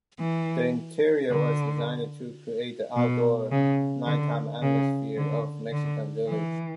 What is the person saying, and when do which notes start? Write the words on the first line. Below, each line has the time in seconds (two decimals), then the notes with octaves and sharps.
The interior was designed to create the outdoor nighttime atmosphere of a Mexican village.
0.20 E3
1.30 D3
2.96 B2
3.51 C#3
4.07 D3
4.62 C#3
5.17 D3
5.72 D3
6.28 E3